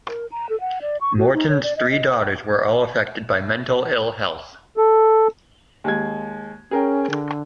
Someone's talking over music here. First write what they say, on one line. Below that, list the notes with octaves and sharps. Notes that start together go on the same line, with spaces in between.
Morton's three daughters were all affected by mental ill-health.
A#4
A#5
A4
F#5
D5
C#6
F#4
D#4
C#5
D5
D#5
D#5
A4
D#2 G#3 G#6
C#4 G#4 A#4 G5
D3